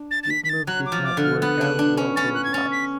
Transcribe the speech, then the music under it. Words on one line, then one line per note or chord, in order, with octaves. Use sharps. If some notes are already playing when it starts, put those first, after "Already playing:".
This move did not work out well for Wallace.
Already playing: D4
A6
A6
B6
B6
A6
F#3 F#6
D6
F3
D6
D3
F6
B3 F#6
D4
D4
C#4
C#4 A6
F#6
G#6
C#4 A6
B6